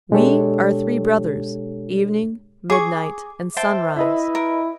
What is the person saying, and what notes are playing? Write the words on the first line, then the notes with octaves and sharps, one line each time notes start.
"We are three brothers--Evening, Midnight, and Sunrise."
B2 G#3 D4 G4 A4 C#5
G#4 C#6 D6
C5 E5 G5 A5
E4 B4 D#5 E5
A#4